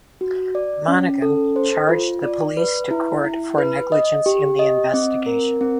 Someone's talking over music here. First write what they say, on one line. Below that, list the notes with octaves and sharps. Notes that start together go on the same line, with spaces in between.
Monaghan charged the police to court for negligence in the investigation.
F#4
D5
C#4
A4
C5
F4
D5
B4
E4
E4
B4
D#5
G4
D#5
C4
A#4
C4